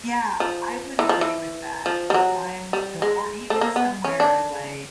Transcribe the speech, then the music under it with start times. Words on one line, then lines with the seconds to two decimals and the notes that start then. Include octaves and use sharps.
Yeah, I would agree with that. If I'm go or even somewhere like
0.40 F3
0.99 E3
1.09 F3
1.21 E3
1.86 F3
2.10 G3
2.14 F#3
2.73 G3
3.02 G#3
3.50 A3
3.61 A#3
3.76 B3
4.04 C#4
4.20 D4